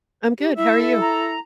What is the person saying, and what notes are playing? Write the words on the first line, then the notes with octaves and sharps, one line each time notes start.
I'm good, how are you?
G4
E4 E5
A4
A#5